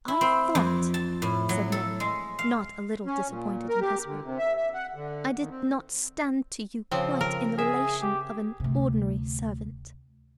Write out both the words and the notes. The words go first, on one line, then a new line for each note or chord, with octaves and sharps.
"I thought," said Mary, not a little disappointed in Hesper, "I did not stand to you quite in the relation of an ordinary servant."
E4
C4
F2
A5
A2
F#3
A4
G#3
F5
C#4
A#2
A#4
G4
D3
C3
E5
E5
F#5
D3
D#2
C4
C#3 F3 C4
A#4
G#4 E5
G4
D2 C3